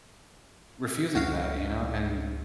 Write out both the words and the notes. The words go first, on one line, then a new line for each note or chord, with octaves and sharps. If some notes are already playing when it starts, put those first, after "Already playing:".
refusing that, you know, and
C#2 F#4 F5